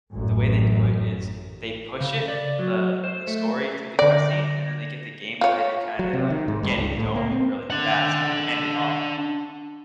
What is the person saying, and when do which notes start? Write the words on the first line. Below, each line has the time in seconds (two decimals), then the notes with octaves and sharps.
the way they do it is they push it, the the story through the cut scene, and then they get the gameplay to kinda, like, get it going really fast to, like, end it off.
0.13 A1 F#2
2.01 C#3
2.28 D5
2.59 F#3
3.04 C5
3.27 A3
3.99 D3 D5 A#6
5.41 F4 C#5 F5 C#6
5.99 F#3
6.13 C3
6.30 D#3
6.48 G#2
6.63 G2
6.77 C#2
6.97 A2
7.16 A#3
7.32 C4
7.70 D4 F#5